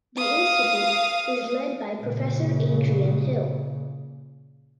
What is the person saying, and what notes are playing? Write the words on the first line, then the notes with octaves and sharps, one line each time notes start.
The institute is led by Professor Adrian Hill.
F5 D#6
A#2 C#3